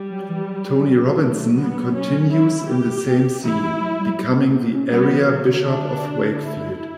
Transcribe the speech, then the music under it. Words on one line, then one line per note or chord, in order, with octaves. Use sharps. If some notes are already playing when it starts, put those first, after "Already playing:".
Tony Robinson continues in the same See, becoming the area Bishop of Wakefield.
Already playing: G3
F#3
E3
F#3
A3
B3
C#4
E4
G4
E3 E4
E3
F#3
G3
F#3
G3
B3
A3
B3
C#4
G3 B3
E3
D3 F#3
D3
D3 D4
E4